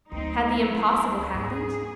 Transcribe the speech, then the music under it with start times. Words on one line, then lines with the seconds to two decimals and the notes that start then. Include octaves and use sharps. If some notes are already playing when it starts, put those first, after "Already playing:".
Had the impossible happened?
0.12 D2 F#3 C4 D#4
0.47 C4 E4
1.34 G#2 A#3 G#4